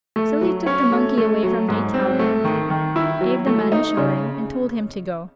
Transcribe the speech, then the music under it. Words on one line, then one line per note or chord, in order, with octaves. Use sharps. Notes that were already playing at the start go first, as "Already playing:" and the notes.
So he took the monkey away from the Italian, gave the man a shilling and told him to go.
A3
F#3
C#4
A3
A3
F#3
G#2
C4
A3
D#3
D#3
E4
F#3
A3
D#4
C#3